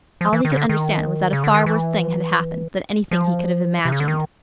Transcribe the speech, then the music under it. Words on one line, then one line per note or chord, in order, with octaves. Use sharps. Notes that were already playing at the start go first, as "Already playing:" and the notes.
All he could understand was that a far worse thing had happened than anything he could have imagined.
F3
E3
D#3
C#3
D3
D#3
C#3
D3
D#3
E3
F3
C3
C#3
D3
D#3